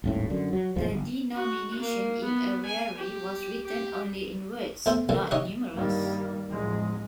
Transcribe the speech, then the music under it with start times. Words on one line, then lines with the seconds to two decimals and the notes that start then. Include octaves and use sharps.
The denomination in ariary was written only in words, not numerals.
0.04 D#1 G#1 A2
0.30 F#2 D3
0.53 F#3
0.76 F#1 E2 A2 F3
0.90 G1
1.34 F#4
1.79 A#3
2.23 B3
2.65 G#5
2.97 G4
3.66 G4
4.86 E2 A3 C5 E5 G5
5.09 E3 G3 A#3 C4 A4
5.31 D#4 G4 C#5 D#5 E5 F#5
5.75 G2 D#3 G3 A#3
6.50 A1 E2 F3 G#3